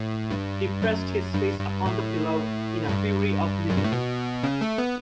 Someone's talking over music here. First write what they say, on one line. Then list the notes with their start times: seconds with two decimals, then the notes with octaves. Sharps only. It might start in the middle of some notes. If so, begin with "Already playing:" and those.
He pressed his face upon the pillow in a fury of misery.
Already playing: A2
0.31 G2
0.82 F#2
1.34 G2
1.60 G2
1.85 A2
2.89 G2
3.70 F#2
3.77 G2
3.84 A2
3.92 B2
4.43 C#3
4.61 A3
4.78 B3